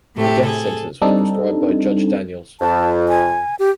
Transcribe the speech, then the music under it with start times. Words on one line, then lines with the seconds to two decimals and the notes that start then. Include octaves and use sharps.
The death sentence was prescribed by Judge Daniels.
0.16 A2 C3 A3 G4
0.44 G#4 A4
1.02 G3 C4 D4 D#4 A4
2.61 F2 A5
3.09 G#5
3.59 G4